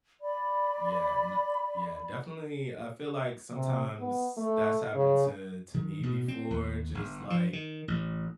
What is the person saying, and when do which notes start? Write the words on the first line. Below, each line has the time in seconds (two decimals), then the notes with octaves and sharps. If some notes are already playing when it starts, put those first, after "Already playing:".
Yeah, n yeah, definitely, I feel like sometimes that's happened to to me before, just, like
0.21 D5 B5
3.53 C3
3.98 B3
4.37 A3
4.94 C#3
5.74 D#3
6.03 B2
6.28 C4
6.50 D#2
6.95 G1
7.30 F3
7.53 D#3
7.88 A1